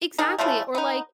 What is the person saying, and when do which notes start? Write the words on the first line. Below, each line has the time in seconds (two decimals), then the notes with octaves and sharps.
Exactly, or, like
0.18 D#3 D#4 G#4
0.38 C#3 E3 F3 A3
0.75 B3 D#4